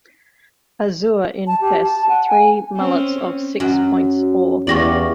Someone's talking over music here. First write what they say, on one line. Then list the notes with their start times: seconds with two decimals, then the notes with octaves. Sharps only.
Azure in fess three mullets-of-six-points or.
1.47 A5
1.61 G4
1.83 A5
2.09 F#5
2.27 G#5
2.77 C4 C#4
3.60 F#2 F#3 F#4
4.67 E2 F4 G4 D5 C#6 A#6 F#7